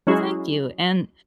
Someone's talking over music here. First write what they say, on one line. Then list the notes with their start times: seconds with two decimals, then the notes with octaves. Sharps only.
Well, thank you. And
0.07 F#3 G#3 C#4 E4 F#4 G#4